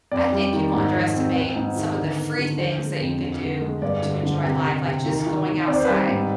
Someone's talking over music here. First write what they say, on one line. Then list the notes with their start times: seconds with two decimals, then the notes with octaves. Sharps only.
I think people underestimate some of the free things that you can do to enjoy life, like just going outside,
0.11 F2 D5
0.32 G3
0.53 D#3
0.73 G#2
0.94 F3
1.15 C4
1.35 C4 B4
1.56 G#2
1.76 D#3
1.97 D3
2.17 B3
2.39 D3
2.58 F3 C5
2.79 G#3
3.00 F2
3.20 D3
3.41 D3
3.61 G#3
3.82 G2 D5
4.02 D3
4.23 D3
4.44 C3
4.65 C3
4.85 C3
5.06 D#3
5.27 D#3
5.47 D#3
5.67 C4 D5
5.76 C5
5.85 G3 B4
5.94 C5
6.08 G#2